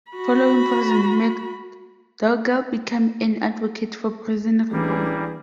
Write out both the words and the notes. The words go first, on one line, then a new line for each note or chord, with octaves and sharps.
Following prison, McDougal became an advocate for prison reform.
F#4 B5
A1 E3 G3 A#3 D4 G#4